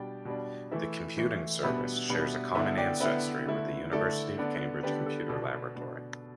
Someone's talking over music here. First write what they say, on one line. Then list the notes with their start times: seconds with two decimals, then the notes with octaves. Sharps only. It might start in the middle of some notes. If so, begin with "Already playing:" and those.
The Computing Service shares a common ancestry with the University of Cambridge Computer Laboratory.
Already playing: B2 G3 D4 D5 G5
0.25 B2 G3 D4
0.71 E3 A3 E4 B4 E5
1.18 E3 A3 E4
1.63 B2 G3 B3 D4 B4 E5
2.09 B2 G3 B3 D4
2.55 D3 B3 E4 B4 E5
2.78 D5 G5
3.00 D3 B3 E4 B4 E5
3.46 D3 A3 E4
3.92 D3 A3 E4 A4 D5
4.38 D3 B3 D4
4.83 D3 B3 D4 G4 B4
5.06 A4
5.29 B2 B3 D4 A4
5.75 B2 B3 D4